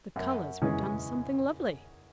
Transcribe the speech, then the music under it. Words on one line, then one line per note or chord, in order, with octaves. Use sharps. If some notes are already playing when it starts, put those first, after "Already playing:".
The colours were done something lovely.
F#2
C#3 E3 G#3 C#4